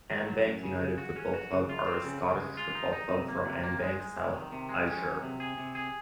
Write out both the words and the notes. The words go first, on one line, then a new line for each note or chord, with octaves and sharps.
Annbank United Football Club are a Scottish football club from Annbank, South Ayrshire.
D#3
F#3
F#2
C#3
C#3
F#4
C#4
F#4
C#3
F4
C4
C#3
C#3
G#3
F4
D#4
D#4
C3
A#3
C3
A#3
G#3
G#3
C3
D#3
C3
G#3
C#4
F#3
C3
G#4
C3
G#4